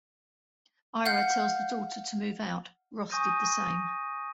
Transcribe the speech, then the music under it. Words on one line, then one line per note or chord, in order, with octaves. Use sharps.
Ira tells the daughter to move out, Roth did the same.
F5 F#5 F6 G6
G#5 C#6 D#6 G6 A#6 D#7